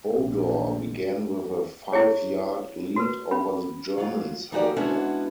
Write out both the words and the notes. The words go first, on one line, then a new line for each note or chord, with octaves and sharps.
Bodor began with a five-yard lead over the Germans, however.
A#1
E4 G4 G#4 C#5
F#4 A#4 B4
C#4 B5
F#3 F4
F3 D#4 F#4 G4 D5
G#3 B3 C#4 D4 E4 F#4